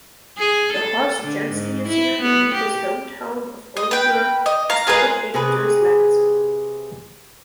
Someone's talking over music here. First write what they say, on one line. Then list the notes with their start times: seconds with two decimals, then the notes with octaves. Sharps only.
The Horst Janssen Museum in his hometown of Oldenburg is dedicated to his legacy.
0.38 G#4
0.73 A4
1.22 D3
1.51 G#2
1.88 E4
2.22 B3
2.53 G4
3.77 D#5
3.91 B4 G5
4.46 D#5
4.70 F5 A#5
4.87 F4 G#4 A#4 B4
5.34 C3 G#4 B4